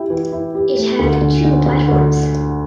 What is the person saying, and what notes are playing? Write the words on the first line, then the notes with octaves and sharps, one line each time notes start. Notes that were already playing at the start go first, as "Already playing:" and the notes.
It had two platforms.
Already playing: E4 G4
E3
E4
G4
A3
D2
D3
D3
D3
D2